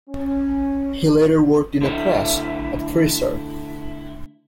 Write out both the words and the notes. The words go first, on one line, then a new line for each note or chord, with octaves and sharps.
He later worked in a press at Thrissur.
C#4
D3 A3 E4